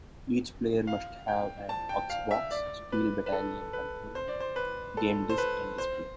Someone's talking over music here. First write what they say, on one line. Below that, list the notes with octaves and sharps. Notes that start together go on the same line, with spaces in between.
Each player must have an Xbox, Steel Battalion controller, game disc and display.
F5
G5
A5
G5
F5
E5
D5
B4
B4
A4
B4
C5
D5
C5
B4
A4
C5
B4
C5